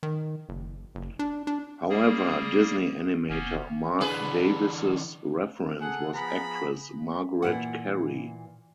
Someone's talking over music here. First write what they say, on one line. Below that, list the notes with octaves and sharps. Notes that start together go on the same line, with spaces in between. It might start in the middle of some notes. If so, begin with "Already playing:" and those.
However, Disney animator Marc Davis's reference was actress Margaret Kerry.
D#3
F#1
F#1
D4
D4
G3 A#3 G#4
F1 A#3 B3 C#4
D3 E3 D4 G#4 B4
G#4 A4 F#5
F3 B3 G#4 F#5 A#5 B5
A#2 E3 F#5